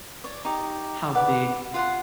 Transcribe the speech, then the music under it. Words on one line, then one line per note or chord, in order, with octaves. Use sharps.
how big
C#5 D5
D#4 G4
B4 D5 F#5 D6
F4 F#5 C6